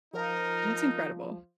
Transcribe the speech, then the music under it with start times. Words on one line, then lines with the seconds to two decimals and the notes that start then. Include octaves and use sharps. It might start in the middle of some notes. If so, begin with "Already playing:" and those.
That's incredible.
0.13 F3 D#4 A#4